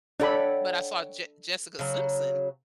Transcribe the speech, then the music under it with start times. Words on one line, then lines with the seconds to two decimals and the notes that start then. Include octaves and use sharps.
but I saw Jes Jessica Simpson
0.20 D4 A4 C#5 F#5 G5 B5
1.79 C#3 F#3